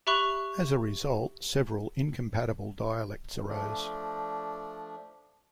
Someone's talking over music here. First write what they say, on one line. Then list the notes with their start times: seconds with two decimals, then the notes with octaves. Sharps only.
As a result, several incompatible dialects arose.
0.07 G4 E5 B5 C#6 F#6 F7
3.48 F3 A3 D4